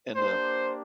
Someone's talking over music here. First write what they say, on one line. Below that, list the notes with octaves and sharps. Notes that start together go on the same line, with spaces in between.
And, um,
A#3 D4 G4 C5